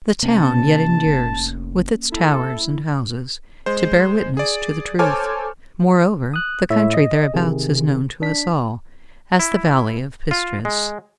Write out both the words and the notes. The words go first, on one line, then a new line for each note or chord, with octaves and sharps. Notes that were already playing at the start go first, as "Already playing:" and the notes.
The town yet endures, with its towers and houses, to bear witness to the truth; moreover the country thereabouts is known to us all as the Valley of Pistres.
C3 A#3 C#4 A5
F1
E4 A4
G#3 C5
G#4 D5
A4 C5 C#5 G#5 D6 F6
D#6 F#6
A2 A3 E4 C#5 E5
D#5
C3 D#3 G#4
D4 B6
E4
F4
G#3